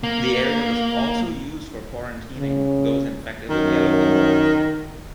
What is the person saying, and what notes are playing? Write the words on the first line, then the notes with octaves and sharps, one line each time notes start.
The area was also used for quarantining those infected with yellow fever.
A#3
C#3
F#2 D#3